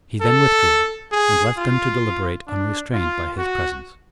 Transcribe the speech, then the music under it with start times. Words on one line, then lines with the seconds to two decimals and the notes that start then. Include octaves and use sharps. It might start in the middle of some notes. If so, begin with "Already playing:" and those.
He then withdrew, and left them to deliberate unrestrained by his presence.
0.22 A4
1.12 G#4
1.57 F4
2.48 D4
2.93 F4
3.38 F#4